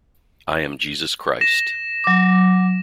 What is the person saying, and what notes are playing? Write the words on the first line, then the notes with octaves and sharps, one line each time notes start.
I am Jesus Christ.
A#6 E7
F#3 D6